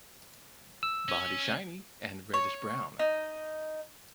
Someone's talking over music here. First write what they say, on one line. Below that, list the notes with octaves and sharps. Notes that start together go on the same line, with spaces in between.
Body shiny and reddish brown.
E6
C#4
C#5
D#4